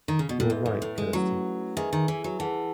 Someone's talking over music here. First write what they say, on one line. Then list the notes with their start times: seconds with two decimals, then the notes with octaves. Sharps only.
You are right, Kirstie.
0.08 D#3
0.19 C#3
0.29 B2
0.40 A2
0.50 G#2 E4 B4 E5
0.66 G#2
0.82 A2
0.98 G#3
1.13 F#3 A3 C#4 E4 B4 F#5
1.77 D#3 G#4 B4 E5 G#5
1.93 D#3
2.08 E3
2.24 F#3
2.39 E3 G#4 B4 F#5 A5